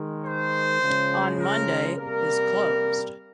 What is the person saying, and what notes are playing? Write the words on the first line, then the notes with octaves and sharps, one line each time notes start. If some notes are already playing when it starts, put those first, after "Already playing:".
On Monday is closed.
Already playing: D#3 G#3
C5
C#3 F3 G#3
A#4
C3 G3 A#3 A#4